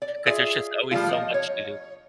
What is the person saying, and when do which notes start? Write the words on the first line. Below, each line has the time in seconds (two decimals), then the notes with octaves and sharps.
'cause there's just always so much to do.
0.02 D5
0.26 F4 G#4 D5 E5
0.91 F3 G3 A3 F4
1.09 F3 D#5
1.34 C#5